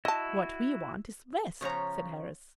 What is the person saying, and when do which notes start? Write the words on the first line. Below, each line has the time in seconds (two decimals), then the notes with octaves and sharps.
"What we want is rest," said Harris.
0.05 E4 F#4 D#5 A5
1.61 C#3 F3 C#5 A#5